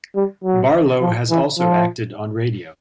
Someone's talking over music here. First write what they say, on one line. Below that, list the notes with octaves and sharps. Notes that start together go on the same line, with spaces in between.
Barlow has also acted on radio.
G3
F#3
F3
E3
F3